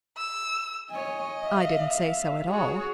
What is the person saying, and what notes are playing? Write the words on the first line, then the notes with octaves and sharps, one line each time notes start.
"I didn't say so at all."
E6
C#5 D#5 G#5
E5 F5
F#4 G#4 C#5